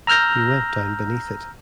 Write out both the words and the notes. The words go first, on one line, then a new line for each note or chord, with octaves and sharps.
He went down beneath it.
A#5 E6 F6 G6 A#6